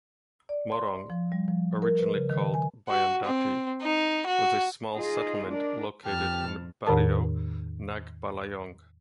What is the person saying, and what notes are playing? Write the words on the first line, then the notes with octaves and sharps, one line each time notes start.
Morong, originally called "Bayandati", was a small settlement located in Barrio Nagbalayong.
D5
C6
F3
G3
F3
A#4
B4
C#3
D#3
G#5
F#4
C4
D#4
F#4
D#4 F4 G#4 D#5
G#3 D4 A#4 D5
F2 G4 A5 F6
E2 A2 D#3 A#4 A5